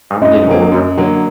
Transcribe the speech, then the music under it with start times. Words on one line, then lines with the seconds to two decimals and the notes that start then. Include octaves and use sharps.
I'm getting older,
0.22 F#2 D#5
0.46 D3 F#3 A#3
0.72 F#2
0.97 D3 F#3 A#3